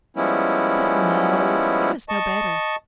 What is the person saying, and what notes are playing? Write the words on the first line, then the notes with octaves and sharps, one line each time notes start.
But no; it was no better.
F3 G3 G#3 B3 C#4 E4
D#5 A5 C#6